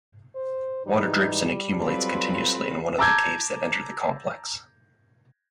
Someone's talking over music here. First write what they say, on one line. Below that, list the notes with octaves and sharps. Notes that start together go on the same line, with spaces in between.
Water drips and accumulates continuously in one of the caves that enter the complex.
C5
G#2 E3 G3 D#4
F#3 C4 F4 A4 B4
A5 A#5 D6 E6 G6 G#6